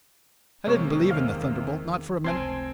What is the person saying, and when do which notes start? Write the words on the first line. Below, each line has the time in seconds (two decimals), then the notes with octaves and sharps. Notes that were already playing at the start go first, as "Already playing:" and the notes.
I didn't believe in the thunderbolt, not for a minute.
0.67 E2 C3 D#3 G#3 A#3 A#4 C#5
1.11 F5
2.24 F1 C#2 C4 G#5 A5 C6 G#6 D7